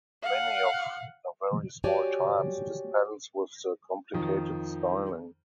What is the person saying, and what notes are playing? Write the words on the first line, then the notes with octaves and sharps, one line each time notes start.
Many of the very small types dispense with the complicated styling.
F5 F#5
F#4 G4 C#5 D5 G5 G#5
F2 D#3 F3